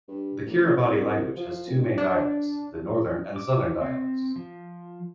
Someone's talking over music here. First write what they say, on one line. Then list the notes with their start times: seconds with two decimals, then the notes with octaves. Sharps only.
The Kiribati language has two main dialects: the Northern and the Southern dialects.
0.08 G2
0.46 A1
0.81 C2
1.36 F3
1.67 F1
1.98 D4
3.36 D6
3.81 C4
4.36 F3